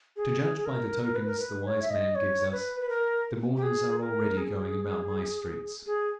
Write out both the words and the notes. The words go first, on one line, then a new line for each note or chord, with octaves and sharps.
To judge by the tokens the wise man gives us, the mourners are already going about my streets.
G#4
G#4
G#4
A#4
A#4
B4
A#4
B4
C#5
E5
D#5
C#5
B4
B4
A#4
G4
G#4
A#4
G#4
G#4